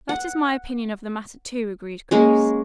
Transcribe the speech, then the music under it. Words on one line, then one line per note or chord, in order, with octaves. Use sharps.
"That is my opinion of the matter, too," agreed Grace.
F#5
G#3 A#3 C#4